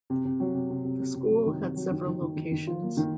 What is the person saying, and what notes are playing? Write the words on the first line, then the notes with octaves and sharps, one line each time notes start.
The school had several locations.
C3
C3
F#3
C3
C3
C3
C3
C3
F#3
D#3
C3
F#3
D#3
D#3
D#3
D#3
D#3
F4
A#3
D#3